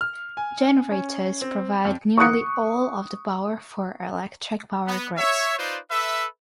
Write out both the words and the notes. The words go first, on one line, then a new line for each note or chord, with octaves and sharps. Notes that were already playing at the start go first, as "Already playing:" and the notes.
Generators provide nearly all of the power for electric power grids.
F6
G#5
C#4
C4
F2
C#6 D#6 F#6 C#7
B3
C#5 E5
D#4 F4 B4 C5 D5
A4 B4 E5